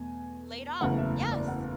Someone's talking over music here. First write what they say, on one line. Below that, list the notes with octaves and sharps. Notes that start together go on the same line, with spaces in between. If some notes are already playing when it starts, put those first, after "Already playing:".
Laid off. Yes.
Already playing: E2 B2 A3 G#5
F#1 E2 C#3 E3 A3 F#5
E5
D5
F#5